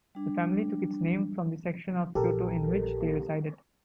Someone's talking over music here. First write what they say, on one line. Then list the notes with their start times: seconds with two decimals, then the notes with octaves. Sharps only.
The family took its name from the section of Kyoto in which they resided.
0.15 G3 D4
2.15 A#1 G4 A4 A#4